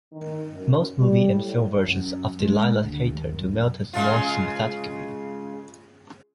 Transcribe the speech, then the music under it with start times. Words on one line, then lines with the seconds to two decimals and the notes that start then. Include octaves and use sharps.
Most movie and film versions of Delilah cater to Milton's more sympathetic view.
0.12 D#3
0.51 F#2
0.98 G3
1.33 A2
1.88 F#2
2.40 G#3
2.84 D2
3.10 D#2
3.32 F#2
3.93 C#3 G#3 F4